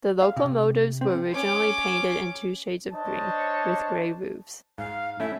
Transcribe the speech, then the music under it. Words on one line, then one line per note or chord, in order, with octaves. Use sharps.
The locomotives were originally painted in two shades of green, with grey roofs.
F5
C3
C4
C#4 D6
D4 C5 C#5 D#5 A5
G#2 F5
A3 C#4 E4 E5